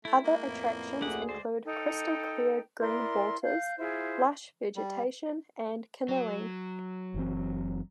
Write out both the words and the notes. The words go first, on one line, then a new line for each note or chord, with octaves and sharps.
Other attractions include crystal-clear green waters, lush vegetation and canoeing.
A3 E4
G#3 A#3
F2 A2 B3
D2 D3 A3 G4 G#4 F#5
G#3 C5 D5
D#4 A4 G5
E4 A#4 D5 C6
F5 G6
E4 F4 G#4 C5
G3
F#3
F#1 E3 C4